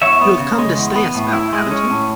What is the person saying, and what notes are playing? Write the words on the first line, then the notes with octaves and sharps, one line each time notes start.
You have come to stay a spell, haven't you?
E2 C#5 E5
B3
C#3
G#3
E2
B3
A2
E4
G#3
C#4
A2